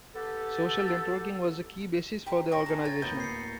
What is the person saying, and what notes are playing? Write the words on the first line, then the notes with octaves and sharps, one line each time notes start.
Social networking was the key basis for the organization.
B3 G4 A4
G4 A#4 C5
D#2 A#2 G5 C#6 A#6
D4 G#5 A#5
F4 C#5 G#6 A6
D1 A#3 B3 G6
C7 C#7